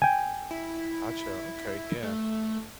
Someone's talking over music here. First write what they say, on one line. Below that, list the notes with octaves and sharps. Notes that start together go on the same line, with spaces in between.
Gotcha, okay, yeah,
G5 G#5
E4
A3